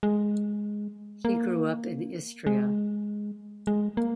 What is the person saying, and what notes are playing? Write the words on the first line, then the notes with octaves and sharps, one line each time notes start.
He grew up in Istria.
G#3
A#3
G#3
G#3
A#3